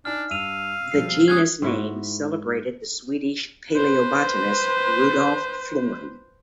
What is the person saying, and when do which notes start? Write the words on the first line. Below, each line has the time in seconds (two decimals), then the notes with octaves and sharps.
The genus name celebrated the Swedish paleobotanist Rudolf Florin.
0.05 D4 D#4 D5 G#5 F6
0.31 G2 F5 E6 D#7 F7
0.92 B2 F3 G3 C7
1.28 D3 G#3 C#4 D#6 F#6 G#6
1.62 G#2 E4 F#4
3.74 B4 C5